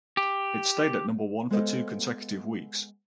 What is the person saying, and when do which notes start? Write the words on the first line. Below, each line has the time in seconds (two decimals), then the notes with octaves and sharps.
It stayed at number one for two consecutive weeks.
0.17 G4
1.51 G#3 B3 A4 C5 D#5 F5